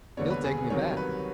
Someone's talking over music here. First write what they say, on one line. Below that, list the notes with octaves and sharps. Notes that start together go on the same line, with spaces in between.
He'll take me back.
E1 D#2 D3 G3 B3 C#5
B4
G#4
G#4
C2 C3 D#3 F#3 C#5
B4